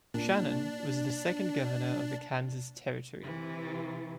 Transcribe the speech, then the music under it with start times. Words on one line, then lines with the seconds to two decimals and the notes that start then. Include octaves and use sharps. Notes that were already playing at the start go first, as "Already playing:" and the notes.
Shannon was the second governor of the Kansas Territory.
0.14 A#2 D4
3.23 C3 E3